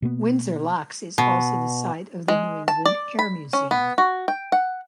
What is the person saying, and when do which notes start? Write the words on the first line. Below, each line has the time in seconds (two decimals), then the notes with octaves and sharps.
Windsor Locks is also the site of the New England Air Museum.
0.02 B2 A#3 B3
1.18 B2
2.28 G#3
2.68 A5
2.85 D5
3.19 B5
3.53 C#4
3.71 B3
3.98 F#4
4.28 G5
4.52 F#5